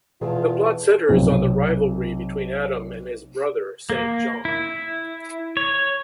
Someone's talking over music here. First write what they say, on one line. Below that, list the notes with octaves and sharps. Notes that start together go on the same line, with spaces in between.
The plot centres on the rivalry between Adam and his brother Saint John.
E2 B2 E3 F4 G#4 G5 A5
B1 C3 C4
A#3
E4
C#5